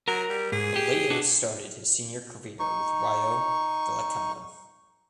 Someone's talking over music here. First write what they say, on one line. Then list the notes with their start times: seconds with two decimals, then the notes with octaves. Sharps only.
Balea started his senior career with Rayo Vallecano.
0.08 F#3 A#4
0.30 G3
0.52 G#2 G#4
0.76 G4
1.10 D4 F#4 A4
2.59 D#4 C#6